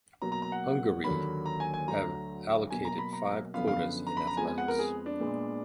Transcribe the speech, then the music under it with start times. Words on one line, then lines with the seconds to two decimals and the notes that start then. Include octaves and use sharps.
Hungary have allocated five quotas in athletics.
0.22 B2 F#3 A#3 A#5
0.32 A#5
0.42 A#5
0.52 F#5
1.04 D#2 D3 F#3 A#3 B5
1.46 A#5
1.60 G#5
1.74 G#5
1.88 D2 D3 F#3 A#5
2.70 B2 F#3 A#3 G#5
2.85 A#5
2.98 B5
3.13 A#5
3.54 F#2 D3 F3 B3 F5
3.68 F5
4.07 A#5
4.17 B5
4.27 A#5
4.37 F2 F3 G#3 B3 G#5
4.47 G#5
4.58 F#5
4.68 A#4
4.79 G#4
5.06 D4
5.20 A#2 G#3 B3